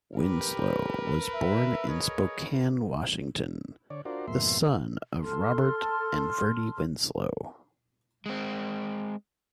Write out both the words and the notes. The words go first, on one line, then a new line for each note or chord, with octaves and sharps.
Winslow was born in Spokane, Washington, the son of Robert and Verdie Winslow.
G4 A#4 B4
E5
G#4 C#5 D#5
D3 C#5 D5
D4 F4 F#4 A#4 C5 D5
F2 G#2 B2 A#3 E5 C6
A4 A5 C6 F6
G#3 C4